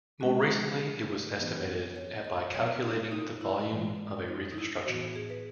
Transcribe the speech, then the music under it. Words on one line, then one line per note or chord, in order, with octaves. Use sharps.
More recently, it was estimated at by calculating the volume of a reconstruction.
B2 G#3 C#4 F#4
G#4
G#2 E3 B3
B4
C#5
C#5
D#5
B2 F#3 B3 C#5
D#4
D#4
E4
G#2 E3 G#3
D#4
D#4
E4
A2 E3 B3 F#4
G#4
B4